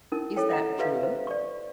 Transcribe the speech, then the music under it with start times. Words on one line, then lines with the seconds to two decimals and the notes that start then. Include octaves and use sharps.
Is that true?
0.12 C#4 D#4 E4 A#4
0.36 E4 A4 C#5 G5
0.49 E4 D#5 F#5 A#5
0.79 G4 B4 E5 F5
1.03 C5
1.27 D5 C#6